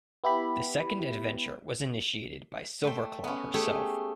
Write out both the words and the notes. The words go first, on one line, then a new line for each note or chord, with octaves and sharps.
The second adventure was initiated by Silverclaw herself.
B3 E4 G4 B5
A3 C5 G5
B3 C#4
A3 G4 G#4 C#5